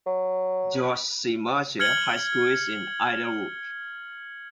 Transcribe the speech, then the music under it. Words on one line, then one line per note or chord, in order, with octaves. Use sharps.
George C. Marshall High School is in Idylwood.
F#3
F6 G#6 C#7 F#7 G7